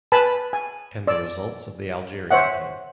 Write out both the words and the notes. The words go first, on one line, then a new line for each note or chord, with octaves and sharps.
And the results of the Algerian team.
B4 G#5 A5 B5
G#5
D5 E6
C5 C#5 E5 F#5